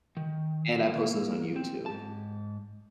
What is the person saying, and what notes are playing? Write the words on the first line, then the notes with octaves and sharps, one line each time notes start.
and I post those on YouTube,
D#3
A#3
C4
G#2 A5